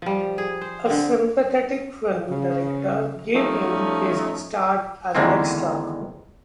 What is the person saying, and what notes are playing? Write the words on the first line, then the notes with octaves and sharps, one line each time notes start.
A sympathetic film director gave him his start as an extra.
F3 G3
G#4
C5
D3 C4
C#3
F3 G3 A3 C#4 D#4
E2 D3 D#3 G#3 A#3 C4